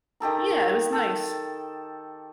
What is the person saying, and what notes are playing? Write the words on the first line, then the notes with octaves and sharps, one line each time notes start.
Yeah, it was nice.
D#3 G4 A4 A#5
A4